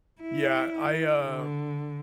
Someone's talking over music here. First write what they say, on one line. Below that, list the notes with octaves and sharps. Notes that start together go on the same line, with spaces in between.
Yeah. I, uh,
E4
D3